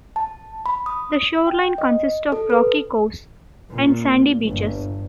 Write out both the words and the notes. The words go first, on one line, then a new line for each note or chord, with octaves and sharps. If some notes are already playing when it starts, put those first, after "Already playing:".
The shoreline consists of rocky coves and sandy beaches.
A5
B5
D#6
G5
D#5
A4
B4
A#2
G1